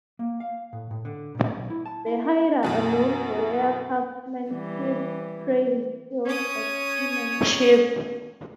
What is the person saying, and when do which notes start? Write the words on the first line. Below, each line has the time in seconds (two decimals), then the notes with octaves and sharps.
The Haida are known for their craftsmanship, trading skills, and seamanship.
0.19 A#3
0.40 F5
0.73 A2
0.91 A2
1.05 D3
1.35 A#2
1.53 B1
1.70 E4
1.86 A5
2.06 E4
2.63 F#2 B2 E3
4.50 E3 G3
6.26 C#4 C#5 D#6